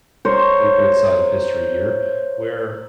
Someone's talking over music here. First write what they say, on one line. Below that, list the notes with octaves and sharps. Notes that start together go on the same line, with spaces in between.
the good side of history here, where
A#4 C5 C#5